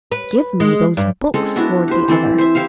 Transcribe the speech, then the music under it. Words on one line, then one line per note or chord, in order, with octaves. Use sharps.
"Give me those books!" roared the other.
B4
G#3
G2
G#3 C4 C#4 A4
B3 D4 E4 F#4
G4 C5
E3 C4 A4 C5
C5 E5
E4 G4 C5 F5